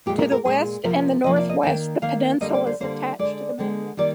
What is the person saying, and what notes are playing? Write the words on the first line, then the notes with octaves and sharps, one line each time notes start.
To the west and the northwest the peninsula is attached to the mainland.
A#2 G#3 G4
A#4
A#4
A#2 G#3 G#4
C3 F3 A#3 A#4
C3 F3 A#3 D#5
D5
D#5
D#3 A#3 G5
D#3 A#3 F5
D3 G3 A#3 D#5
D5
C5
D3 G3 A#3 C5
D3 G#3 D5
D3 G#3
D#3 G3 A#3 D5